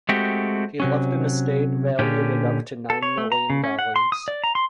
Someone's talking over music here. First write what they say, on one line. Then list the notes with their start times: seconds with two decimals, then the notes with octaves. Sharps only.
He left an Estate valued at up to nine million dollars.
0.09 G#3 A3 C4 F#4 G4
0.80 C3 F#3 C#4
1.99 A#2 D3 C#4 G4
2.90 A4
3.02 C#5
3.18 A3
3.32 A#5
3.50 C#3
3.64 C#4
3.79 F#5
3.96 C6
4.12 D#6
4.28 D5
4.44 A#5
4.55 C6